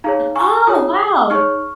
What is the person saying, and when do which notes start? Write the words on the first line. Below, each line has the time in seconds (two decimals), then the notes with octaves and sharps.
Oh, wow.
0.04 D#4 G#4 C#5 F5 A#5
0.36 G#5 C#6
0.67 F4 G#4 C#5 A#5 D#6
1.30 D#4 G#4 C#5 C#6 F6